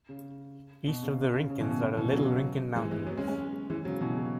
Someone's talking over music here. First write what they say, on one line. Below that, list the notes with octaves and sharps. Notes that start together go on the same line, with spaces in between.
East of the Rincons are the Little Rincon Mountains.
C#3
B2
C#3
C#3
C#3
B2 E3
B2
C#3
B2 E3
C#3 F#3
E3 G#3
E3 G#3
F#3 B3
G#3 C#4
G#3 C#4
E3 G#3
C#3 F#3
B2 E3
C#3